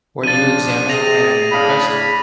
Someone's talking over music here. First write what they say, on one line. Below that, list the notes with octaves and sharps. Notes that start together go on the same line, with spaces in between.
Were you examined at an inquest?
F3 D4 A6 D#7
C3 G#4 A#6 D#7 F7
A2 D4 F5 B5